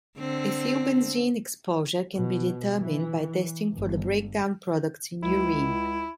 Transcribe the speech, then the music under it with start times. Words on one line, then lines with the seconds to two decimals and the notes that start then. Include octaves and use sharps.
Ethylbenzene exposure can be determined by testing for the breakdown products in urine.
0.18 D3 C4
2.16 B2
2.80 E3
3.74 G1
5.23 C#2 E4